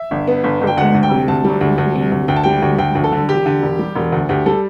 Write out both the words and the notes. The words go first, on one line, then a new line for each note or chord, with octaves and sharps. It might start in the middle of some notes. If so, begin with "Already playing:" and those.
Procaine causes loss of feeling in the skin and surrounding tissues.
Already playing: E5
G1
B3
G1
G1
G5
D2 F#5
D2
G5
C3
D2 A5
G3
D2
D2
C3
D2
D2 G5
A5
G3 G5
D2
D2 G5
D2
A4
D3
E1 G4
D3
E1
G3
E1
D2
D2 G4
G3 A4